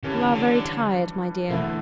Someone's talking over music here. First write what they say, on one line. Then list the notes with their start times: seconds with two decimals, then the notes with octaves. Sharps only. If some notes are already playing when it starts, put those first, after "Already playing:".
You are very tired, my dear.'
0.03 G2 D3 E3 G3 C#4
0.18 C#3
0.32 D3
1.50 E2 B2 D3 A3 E4 A4